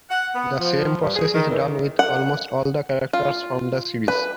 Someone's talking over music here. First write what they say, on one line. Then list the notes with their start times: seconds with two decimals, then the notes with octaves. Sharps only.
The same process is done with almost all the other characters from the series.
0.10 F#5
0.35 B3
0.59 F3
1.00 G2
1.15 G#4
1.34 D#3
1.48 E2
1.99 F#5
3.13 F4
4.08 B4